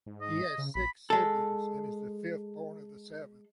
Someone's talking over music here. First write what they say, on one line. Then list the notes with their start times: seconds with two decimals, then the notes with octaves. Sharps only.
He has six siblings and is the fifth born of the seven.
0.06 G#2
0.21 D#5
0.58 C#3
0.75 A#1 B5
1.10 G#3 A4